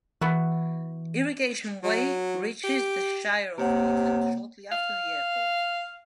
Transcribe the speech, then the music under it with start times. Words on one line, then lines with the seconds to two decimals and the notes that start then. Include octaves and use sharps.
Irrigation Way reaches the Shire of Leeton shortly after the airport.
0.21 E3 B3 E4 F#4
1.84 F#3
2.64 G4
3.58 C3 A#3 C#5 F#5
4.72 F5